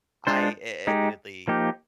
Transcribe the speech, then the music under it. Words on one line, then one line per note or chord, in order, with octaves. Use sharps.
I a admittedly,
G#3 D4 F4 C5
G#3 D#4 G4
F3 A#3 D#4 G4